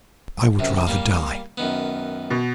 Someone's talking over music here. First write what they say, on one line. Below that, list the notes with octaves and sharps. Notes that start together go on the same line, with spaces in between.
I would rather die.'
F#2 C3
G3 A#3
F#2 D#3 B3
B2